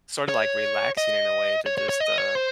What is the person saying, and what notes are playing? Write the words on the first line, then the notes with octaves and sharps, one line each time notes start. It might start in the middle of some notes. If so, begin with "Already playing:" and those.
sorta, like relaxing in a way to just, uh
C#5
D#5
C#5
C#5
C#5
D#5
C#5
C5